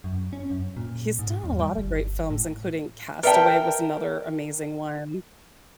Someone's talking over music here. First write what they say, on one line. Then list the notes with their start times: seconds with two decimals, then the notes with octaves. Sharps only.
He's done a lot of great films, including Castaway, was another amazing one,
0.04 F#2
0.33 C#4
0.51 F#2
0.77 A#2
1.19 G#2
1.44 E2
1.60 G3
1.77 G1
2.30 A2
3.23 A#4 B4 D5 E5 G5 A5